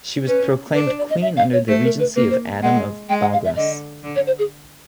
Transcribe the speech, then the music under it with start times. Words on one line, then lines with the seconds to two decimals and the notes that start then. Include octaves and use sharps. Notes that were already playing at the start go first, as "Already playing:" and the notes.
She was proclaimed queen under the regency of Adam of Baghras.
0.27 C#4 B4
0.74 D4 B4
0.86 C5
0.98 D5
1.10 D#5
1.22 E5
1.37 F5
1.53 C#5
1.68 A3 C5
1.84 A#4
1.99 B4
2.15 A#3 B4
2.31 C5
2.62 G#3 F#5
3.09 G#3 G5
3.21 F#5
3.33 F5
3.45 E5
3.56 D3 D#5
4.03 D3
4.16 C#5
4.27 C5
4.39 G#4